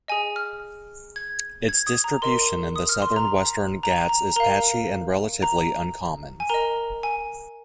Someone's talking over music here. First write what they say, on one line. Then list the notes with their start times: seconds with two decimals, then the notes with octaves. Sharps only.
Its distribution in the southern Western Ghats is patchy and relatively uncommon.
0.08 G#4 D#5 G#5
0.36 F6
1.16 G#6
1.69 G#6
1.87 D#6
2.04 A#5
2.22 A#4 D#5 C6
2.76 D#6
2.89 F6
3.02 C6
3.16 A#5
3.83 A#5
4.09 A#5
4.36 A#4 F5 A#5
5.42 A#5
6.40 G#5
6.49 A#4 D#5 A#5
7.03 G#5